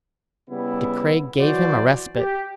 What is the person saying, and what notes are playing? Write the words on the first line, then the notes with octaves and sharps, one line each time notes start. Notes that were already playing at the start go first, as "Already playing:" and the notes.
De Craye gave him a respite.
C#3 G3 B3 E4
E3 F#3 F#4 C5 D5
G4